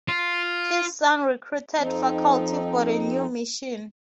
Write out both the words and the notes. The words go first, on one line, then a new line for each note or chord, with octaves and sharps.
His son recruited faculty for the new mission.
F4
F2 F3 C4 D#4